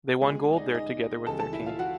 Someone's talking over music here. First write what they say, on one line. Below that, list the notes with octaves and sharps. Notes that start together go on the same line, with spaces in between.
They won gold there together with their team.
C#2 B2 G3 G#3 G#4
D5
D#4 D#5
D#4 D#5
C#2 C#3 E3 G3 A4 A5
A4 A5
E4 E5
F4 F5
F#4 F#5